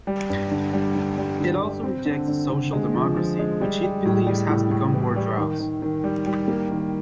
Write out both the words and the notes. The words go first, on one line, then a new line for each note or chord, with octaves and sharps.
It also rejects social democracy, which it believes has become bourgeois.
G3
G2
D3
G3
D3
G3
D3
D3
C4
D3
D3
D3
G#3
F3
F3
G#3
G3
G3
A2
G3
A2
A2
E3
G3
D#3
D#3
D#3
G3
G3
A#3
D#3